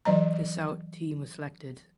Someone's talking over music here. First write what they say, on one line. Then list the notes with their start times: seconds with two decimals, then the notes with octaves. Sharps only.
The South team was selected.
0.05 E3 F#3 D#5 A#5